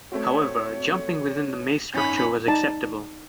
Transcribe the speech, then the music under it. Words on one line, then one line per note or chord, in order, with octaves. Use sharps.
However, jumping within the maze structure was acceptable.
A3 C4 F#4 C#5
G#1 F#2 C#4 D#4 B5
D#4 D5 A5